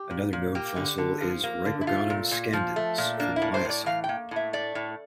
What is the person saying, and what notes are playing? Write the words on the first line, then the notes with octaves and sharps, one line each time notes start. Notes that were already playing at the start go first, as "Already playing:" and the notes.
Another known fossil is "Ripogonum scandens" from the Miocene.
Already playing: G4
A#2
A#2
A#3 G4
D3
D3
F3
A#3
D3
E4
A3 F4
A#2
A#2
F3
A3
A#2
A#3 D4
E4
A2
C5
A2 D5
E3 F5
G5
A#3
A2 E5
A3 D5
A2